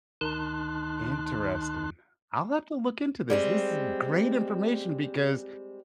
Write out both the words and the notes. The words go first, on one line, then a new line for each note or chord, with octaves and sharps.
Interesting. I'll have to look into this. This is great information because
D2 D#3 D#4 A5 C6 F#6
G3 G#3 C4